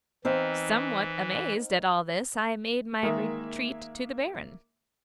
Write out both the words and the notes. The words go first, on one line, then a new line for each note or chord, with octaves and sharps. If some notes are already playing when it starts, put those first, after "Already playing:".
Somewhat amazed at all this, I made my retreat to the Baron.
E3 C4 D#4 F5
D#3 G#3 A#3 E5